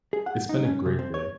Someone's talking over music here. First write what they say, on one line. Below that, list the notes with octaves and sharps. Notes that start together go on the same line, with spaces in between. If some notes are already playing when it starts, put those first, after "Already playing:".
It's been a great day.
G#4
F#5
D#4
C#4
C3
C4
C#5